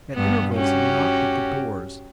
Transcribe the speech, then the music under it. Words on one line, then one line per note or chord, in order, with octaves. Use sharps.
At intervals he knocked at the doors.
G2 B3
C#4 F#4 G4